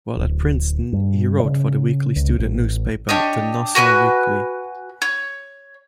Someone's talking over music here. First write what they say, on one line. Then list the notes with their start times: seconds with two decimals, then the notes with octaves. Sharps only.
While at Princeton, he wrote for the weekly student newspaper, the "Nassau Weekly".
0.17 D1
0.93 G2
1.44 C#3
2.16 C#2
2.38 A1
3.09 D4 G4 C#5 D#5
3.75 F#4 B4 G#5 F#6
5.02 C#5